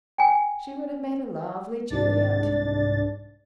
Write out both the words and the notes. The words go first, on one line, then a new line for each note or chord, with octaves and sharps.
She would have made a lovely Juliet.
G5 G#5
C2 G#2 D4 A6